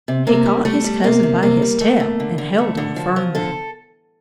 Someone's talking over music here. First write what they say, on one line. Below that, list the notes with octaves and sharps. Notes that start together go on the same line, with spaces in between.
He caught his cousin by his tail and held on firmly.
C3
C3 A#3
G3
G3 A3
G3
C3 A#3
C3
C3 A#3
G3
A3
A3
D3
D3
A3
D3
F3
F3
D3 A4